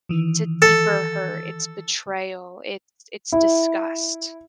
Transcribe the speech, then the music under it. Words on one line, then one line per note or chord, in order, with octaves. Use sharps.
it's a deeper hurt, it's betrayal, it's it's disgust.
D#3 E3
A4
E4